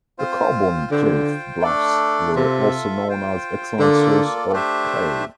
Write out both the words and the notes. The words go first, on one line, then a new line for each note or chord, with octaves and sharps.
The Carbon Cliff bluffs were also known as an excellent source of clay.
C4 F4 C5
D3 F4 C5 G5
A3 D4 A4 D5
C3 F4 A4 E5
F4 C5 G5
D3 A#3 F4 A4 D5
A3 D4 G4 C5 E5